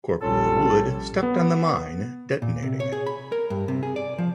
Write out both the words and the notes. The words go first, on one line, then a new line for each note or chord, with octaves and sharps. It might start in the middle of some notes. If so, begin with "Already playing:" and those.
Corporal Wood stepped on the mine detonating it.
A#1 G3 C#4 F4 A4
B3
A#2
C3
C#5
G#4
B5
A#4
G2
C3
G#4
D5
F3